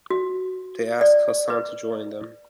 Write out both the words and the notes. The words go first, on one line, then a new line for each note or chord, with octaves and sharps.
They asked Hassan to join them.
F#4
D5
B4